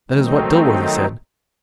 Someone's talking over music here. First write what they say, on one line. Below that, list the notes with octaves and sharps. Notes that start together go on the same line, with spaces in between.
That is what Dilworthy said.
D#3 F#3 A3 C4 D#4